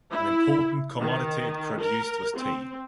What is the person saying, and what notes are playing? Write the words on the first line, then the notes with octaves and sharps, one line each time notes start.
An important commodity it produced was tea.
E4
D#3
A#4
C4